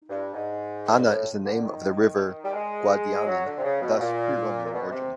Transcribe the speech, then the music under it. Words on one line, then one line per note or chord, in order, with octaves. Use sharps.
Ana is the name of the river Guadiana thus pre-Roman in origin.
G2
G#2
A#2
A2
D3
D#3
G3
G#3
F#3
D3
C3
C#3
B2
B2
A#2
A#2
B2
C3